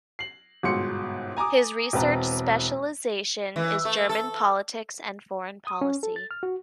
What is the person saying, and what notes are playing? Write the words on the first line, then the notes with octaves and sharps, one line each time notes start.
His research specialization is German politics and foreign policy.
C7 F#7
G1 G#2 B2 C6 C#7
G#5 A#5 D6 D#6
E1 C4 B4 A5 A#5
E3
A3
A4
D#6
C#4
A4
A6
F6
F#4